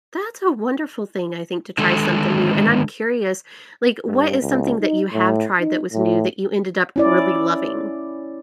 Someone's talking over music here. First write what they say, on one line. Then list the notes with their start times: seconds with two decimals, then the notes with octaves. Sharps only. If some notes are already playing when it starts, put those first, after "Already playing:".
That's a wonderful thing, I think, to try something new and I'm curious, like, what is something that you have tried that was new that you ended up really loving?
1.78 D3 D#3 G#3 A4
4.07 G2
4.41 C#2
4.81 D#4
5.13 A2
5.60 D#4
5.93 A2
6.96 C#4 E4 D5